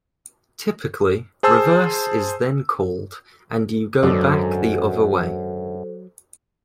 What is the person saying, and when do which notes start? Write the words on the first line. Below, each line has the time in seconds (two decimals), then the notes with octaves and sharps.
Typically "reverse" is then called and you go back the other way.
1.43 G#4 C5 A5 E6
4.03 G#1 F#2 D3 F#3 A4 C5 D#5